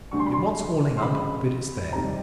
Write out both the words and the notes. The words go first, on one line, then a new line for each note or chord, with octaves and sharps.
It wants hauling up, but it's there.
D2 D3 G3 C#6
C6
B5
C6
C6
D2 C#3 F3 G#3 B5
F2 C3 D#3 G3 A#5